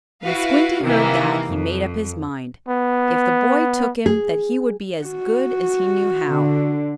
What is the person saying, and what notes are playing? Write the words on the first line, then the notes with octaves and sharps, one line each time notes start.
When Squinty heard that, he made up his mind, if the boy took him, that he would be as good as he knew how.
E4 F#4 B4 F5
C3 D#3 E3 A#3
F2
B3
G#4
F#4
D3